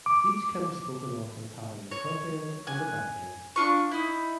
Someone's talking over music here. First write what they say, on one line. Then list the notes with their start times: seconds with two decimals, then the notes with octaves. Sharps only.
Each can be spoken of as having a front end and a back end.
0.06 D6
1.91 C#5
2.67 G#5 F#6
3.56 D4 F4 C#6
3.91 D#4 E4